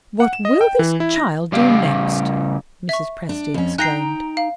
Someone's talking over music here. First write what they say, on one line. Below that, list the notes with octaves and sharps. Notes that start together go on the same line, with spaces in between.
"What will this child do next?" Mrs. Presty exclaimed.
F#5
E7
D#5
G5
E3
E4
A#6
C#3 G3 D5 F5
E5 C#6
D4
F2 C#4
D#4 G5 A#5 F#6 A#6 C7
F5